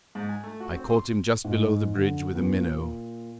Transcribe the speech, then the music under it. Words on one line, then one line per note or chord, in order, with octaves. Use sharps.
I caught him just below the bridge with a minnow.
G#2
G#5
A3
F#4
C4
C6
G#2
D3
E2
A#2